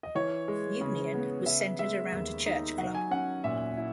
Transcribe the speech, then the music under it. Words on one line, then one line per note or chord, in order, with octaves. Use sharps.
Union was centred around a church club.
D#5
E3 C#5
G#3
C#3
B3
C#3 E5
G#3 E5
D#2
D#4
F#3 F#5
G#5
C#4 F#5
A#2 E5
E4